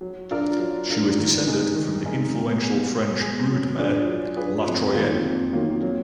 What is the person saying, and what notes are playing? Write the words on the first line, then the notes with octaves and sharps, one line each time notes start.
She was descended from the influential French broodmare La Troienne.
F#3
D4 F4 A#4
F#3
D4 F4 A#4
D#3
G#3 D#4 A#4
D#3
G#3 D#4 A#4
B2
G#3 B3
B2
G#3 B3
F#3
D4 F4 G#4 B4
F#3
D4 F4 G#4 B4
F2
D#3 F#3 A#3 F4
F2
D#3 F#3 A#3 F4
F#3